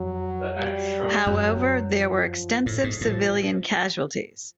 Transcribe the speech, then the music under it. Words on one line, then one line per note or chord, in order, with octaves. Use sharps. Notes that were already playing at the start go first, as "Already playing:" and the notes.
However, there were extensive civilian casualties.
Already playing: F2 F#3
G3
F#2 F#3
F3
A2
G#2
A2 F3